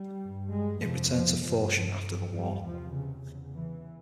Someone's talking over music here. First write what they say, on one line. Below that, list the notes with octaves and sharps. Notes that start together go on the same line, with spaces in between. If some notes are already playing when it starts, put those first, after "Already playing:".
It returned to Foshan after the War.
Already playing: G3
G2
G#3
F2 C3 F3
F3
G2 F3
G2
G3
E2 C3 F3
C#3
E2 C#3
E3